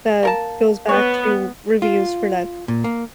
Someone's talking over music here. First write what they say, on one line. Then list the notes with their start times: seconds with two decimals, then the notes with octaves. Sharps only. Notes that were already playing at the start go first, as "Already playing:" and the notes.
that goes back to reviews for that
0.23 A#3 A#4 A5
0.89 B3 C#5
1.82 F4
2.68 A#2
2.84 A#3